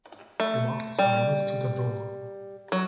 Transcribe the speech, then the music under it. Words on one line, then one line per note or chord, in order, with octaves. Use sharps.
He walked sideways to the door.
A3
G3
F#3